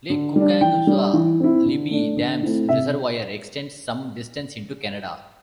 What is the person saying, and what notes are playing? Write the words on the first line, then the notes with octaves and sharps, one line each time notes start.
Lake Koocanusa, Libby Dam's reservoir, extends some distance into Canada.
D3
G3 D4
E3 G5
G3 D4
E3
C4 E4
D3
A3 D4
D3
A3 C4 E4
C3 E5